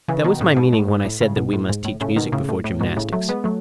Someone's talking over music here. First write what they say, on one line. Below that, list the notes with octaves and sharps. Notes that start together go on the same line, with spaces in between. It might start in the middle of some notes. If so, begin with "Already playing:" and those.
That was my meaning when I said that we must teach music before gymnastics.
C#3 E3
B2 D#3
A2 C#3
G#2 B2
A2
G#2
A2
A2 C#3
G#2 B2
A2
G#2
A2
A2 C#3
B2 D#3
A2 C#3
A2
A2
G#2 B2
A2 C#3
F#3 A3
G#3 B3
F#3 A3